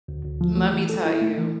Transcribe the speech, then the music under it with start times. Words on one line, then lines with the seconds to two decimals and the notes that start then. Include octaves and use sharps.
Let me tell you,
0.08 D2
0.25 D2
0.41 F3
0.57 A3
0.73 E3
0.89 A4
1.05 E4
1.22 A3
1.38 E3